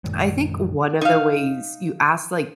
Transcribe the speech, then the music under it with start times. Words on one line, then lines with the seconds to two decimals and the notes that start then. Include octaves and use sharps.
I think one of the ways you ask, like,
0.04 F#2 A#2 D#3 G#3
1.01 D#4 F5